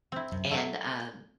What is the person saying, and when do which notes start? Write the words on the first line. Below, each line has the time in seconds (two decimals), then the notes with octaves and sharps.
and, um,
0.12 C4 E4
0.32 F#2 C3
0.51 F#3 A3